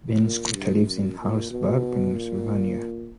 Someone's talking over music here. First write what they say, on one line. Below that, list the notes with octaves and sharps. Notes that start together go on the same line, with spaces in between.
Benscoter lives in Harrisburg, Pennsylvania.
A#2
G2
F#2
A#2
B2
A#2